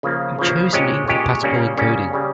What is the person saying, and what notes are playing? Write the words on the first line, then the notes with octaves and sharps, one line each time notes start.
You chose an incompatible encoding.
C#3 F3 A#3
C#3 F3 A#3
A#2 G#3 C#4 G4 C#5
A#2 G#3 C#4 G4 C#5
C#3 G3 A#3 C#4
C#3 G3 A#3 C#4
C#3 G3 C#4